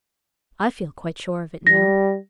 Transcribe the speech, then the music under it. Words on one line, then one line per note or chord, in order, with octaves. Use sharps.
"I feel quite sure of it now."
G3 A#6